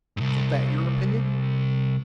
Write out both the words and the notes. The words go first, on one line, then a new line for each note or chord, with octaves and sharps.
Ain't that your opinion?'
C2 G2